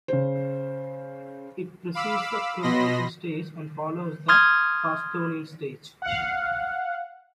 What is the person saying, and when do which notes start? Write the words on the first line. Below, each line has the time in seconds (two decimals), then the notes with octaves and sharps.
It precedes the Cromerian Stage and follows the Pastonian Stage.
0.08 C#3 C5
1.94 F5 B5 D6 E6
2.62 B2 D#5 B5 C6 A#6
4.28 C6 D#6 F6 G#6 A6
6.02 F5 F#5